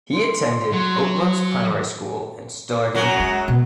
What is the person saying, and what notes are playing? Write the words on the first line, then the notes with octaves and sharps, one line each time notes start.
He attended Oatlands Primary School in Stillorgan.
C6
F#3
F#2 F#3
G#3
B2